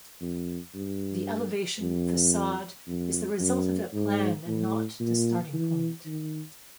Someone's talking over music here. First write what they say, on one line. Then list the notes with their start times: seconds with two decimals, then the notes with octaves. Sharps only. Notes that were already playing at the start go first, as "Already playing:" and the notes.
The elevation, facade, is the result of that plan and not the starting point...
0.21 F2
0.75 G2
1.81 F2
2.88 F2
3.40 F#2
3.93 G#2
4.47 A2
5.00 A#2
5.54 E3
6.06 D#3